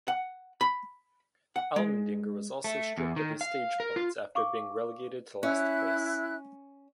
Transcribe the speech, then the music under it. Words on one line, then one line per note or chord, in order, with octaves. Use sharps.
Allmendinger was also stripped of his stage points after being relegated to last place.
F#5
B5
F#5
G#3
A3
E2
D#3
F5
A#4
F4
F5 C#6 D6
C#4 E4 F#6